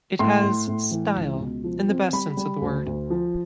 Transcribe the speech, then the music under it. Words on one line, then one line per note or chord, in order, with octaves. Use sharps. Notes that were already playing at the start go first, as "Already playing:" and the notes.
It has style in the best sense of the word.
A2 C6
A2
A2
E3
C#2
B2
F3
C4
G3 B5
G3
D2
D2
F3